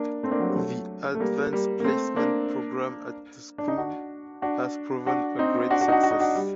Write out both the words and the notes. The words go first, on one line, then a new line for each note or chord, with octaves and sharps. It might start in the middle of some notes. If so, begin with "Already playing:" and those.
The Advanced Placement program at the school has proven a great success.
Already playing: A#3 D4
A3 C4
A#3 D4
F#3
G3
F#3 A3
A3
G3 A#3
G3 A#3
A#3
A3 C4
A#3 D4
D4
D#4
D4 F#4
D4 F#4
D4 F#4
C4 D#4
D4 F#4
D4 F#4
D#4
D4 F#4
F#4
D#4
D4 F#4
G3